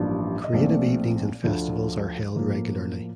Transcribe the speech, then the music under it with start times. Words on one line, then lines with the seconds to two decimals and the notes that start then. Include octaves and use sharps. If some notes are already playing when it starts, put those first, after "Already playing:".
Creative evenings and festivals are held regularly.
Already playing: A1 G2 F3 A#3 D4
0.44 D#5
0.53 A#1 A#2 A3 C4 D5
1.44 D2 D3 F3
2.35 A2 F3 A#3